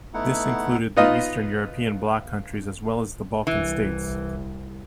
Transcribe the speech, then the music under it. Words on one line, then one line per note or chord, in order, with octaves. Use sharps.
This included the Eastern European bloc countries as well as the Balkan States.
A3 B3 D#4 E4 F#5
B3 D#4 F4 D#5
C2 E3